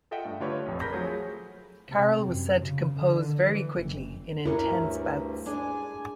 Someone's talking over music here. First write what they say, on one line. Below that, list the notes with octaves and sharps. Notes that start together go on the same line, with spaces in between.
Caryll was said to compose very quickly in intense bouts.
F4 A4 D#5 E5 F#5 G5
G2 A3
D3 A3 F4 G4 B4 C#5
A#1 F2
G#4 A#4 B5 G6 A#6 B6
F3 F#3 A3 G#4 C#5
C3
F#2
C#3
D3
E3
F#1
D2 G2 A3 C#4 D4 E4 A#4
G#3 D4 G#5